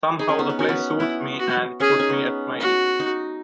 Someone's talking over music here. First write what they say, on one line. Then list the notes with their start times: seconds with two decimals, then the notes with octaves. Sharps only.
Somehow the place soothed me and put me at my ease.
0.19 D#4 G#4
0.29 C#4
0.39 B3
0.50 B3
0.59 C#4 F#4
0.69 B3
0.99 B3 E4
1.39 F#4
1.80 C#4 G#4
1.90 D#4
1.99 C#4
2.10 B3
2.60 F#4
3.00 D#4